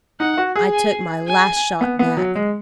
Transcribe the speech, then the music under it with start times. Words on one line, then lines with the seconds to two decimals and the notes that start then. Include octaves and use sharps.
I took my "Last Shot" back.
0.20 D#4 F#5
0.38 F#4
0.56 G#4
0.74 G#5
1.28 G#5
1.81 B3
1.99 B3
2.17 F#3
2.35 G#3